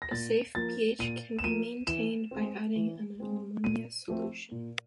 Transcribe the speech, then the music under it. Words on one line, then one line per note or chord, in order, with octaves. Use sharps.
A safe pH can be maintained by adding an ammonia solution.
A#6
A#2 A6
F3 A#3 A6
A#2 D#7
E7
F3 A#3 D#7
E3 E7
G#3 C4
E3
G#3 C4
A#2 D#7
F3 A3 C4
A#2